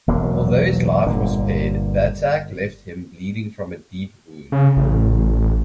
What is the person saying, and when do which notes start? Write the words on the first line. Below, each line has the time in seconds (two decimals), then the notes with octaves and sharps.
Although his life was spared, the attack left him bleeding from a deep wound.
0.08 E1 B1 F#3 A#3
1.06 G1 A#2 D3
4.52 C#3
4.77 A1